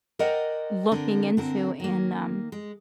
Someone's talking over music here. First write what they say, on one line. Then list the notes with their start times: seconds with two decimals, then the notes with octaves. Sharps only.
looking into and, um
0.19 A#4 C5 D5 D#5 F#5 G5
0.92 D3 C4 A#4
1.37 D3 C4 A#4
1.80 D#3 A#3
2.52 G#3